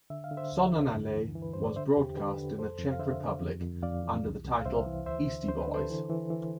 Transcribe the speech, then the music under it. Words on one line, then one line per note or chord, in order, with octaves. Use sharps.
"Sonnenallee" was broadcast in the Czech Republic under the title "Eastie Boys".
D3 E5
F5
D3
C5 E5
D2
D3
G2
E3
E3
B4
G2 C5
D5
D3 C5 E5
E2 G4
D3 G4 B4
D3
F2 A4 C5
F2
F5
D3 C5 E5
D3
F2
F2
F2 D5 F5
E3
C2
C2
F5
C2 C5 E5
E3
D2 C5 E5
D3
D2 C5
B4
D3
A4 C5
E3
E3
E3